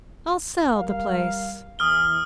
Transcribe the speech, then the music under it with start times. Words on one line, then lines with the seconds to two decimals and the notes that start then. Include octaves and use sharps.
"I'll sell the place."
0.77 G3 A#4 F5
1.79 E2 E3 D#6 F6 G7